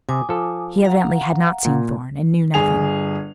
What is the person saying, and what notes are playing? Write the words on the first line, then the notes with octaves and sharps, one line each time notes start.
"He evidently had not seen Thorn, and knew nothing."
C3 G#5 D6 D#6
F3 A4
F5 F#5 A#5
A#2
G1 G#4 F7